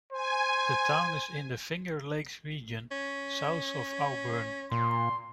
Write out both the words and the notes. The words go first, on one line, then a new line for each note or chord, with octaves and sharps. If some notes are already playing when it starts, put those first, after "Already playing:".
The town is in the Finger Lakes region, south of Auburn.
C5 G#5
C#4
A#2 C6